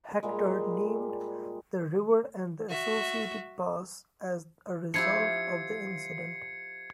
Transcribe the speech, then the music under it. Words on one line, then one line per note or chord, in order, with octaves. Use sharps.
Hector named the river and the associated pass as a result of the incident.
A#2 G3 G#3
F#4 E5
F3 E4 G4 G#6 C7 C#7